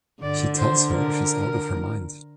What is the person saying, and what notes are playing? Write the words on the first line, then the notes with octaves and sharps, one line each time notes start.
He tells her she is out of her mind.
D3 D5
C5
A#4